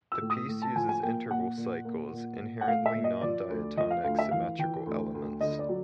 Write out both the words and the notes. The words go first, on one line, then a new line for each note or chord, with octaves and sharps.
The piece uses interval cycles, inherently non-diatonic symmetrical elements.
E6
A2
D#6
A2
A5
F3 G#5
G#5
A#3 G5
A#2 F#5
A#2
A#3
A#2
A#2
F#5
A3 F5
E5
A#2
D#5
F3 D5
D2
F3 D#5
F5
D2 F5
E5
E3 F5
E3 G5
D2
D2
D3 D#5
D5
F#3